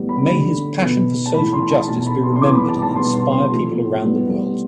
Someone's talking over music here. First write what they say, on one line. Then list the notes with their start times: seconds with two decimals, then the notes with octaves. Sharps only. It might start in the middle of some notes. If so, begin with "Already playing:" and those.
May his passion for social justice be remembered and inspire people around the world.
Already playing: A2 E3 G3 B3
0.09 B5
0.26 D3 A3 B5
0.80 B2 B3
1.26 A5
1.34 A2 E3 A3 B5
1.53 C6
1.71 A5
1.88 B2 A3 A5
2.07 B5
2.23 C6
2.36 C6
2.41 C3 E3 B3 D6
2.55 B5
2.69 A5
2.82 A5
2.96 B2 G3 B3 C6
3.14 C6
3.32 C6
3.50 C3 F3 A3
4.03 A2 G3 B3